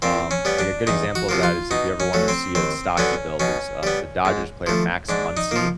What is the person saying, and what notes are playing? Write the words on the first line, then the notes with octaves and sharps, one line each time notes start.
Um, like, a good example of that is if you ever wanna see a stocky build is, um, the Dodgers player Max Muncy.
A#2 C4
C#4
G3 B3
D4
E2 D#4
F#4
C3 F3 A#3
F4
B2 D#4
C#4
F#3 A3
C4
D#2 C4
D3 F#3 B3 C#4
B2 C#4
G3 B3
G#2
F3 A3
G#2 D4
D#4
F3 A#3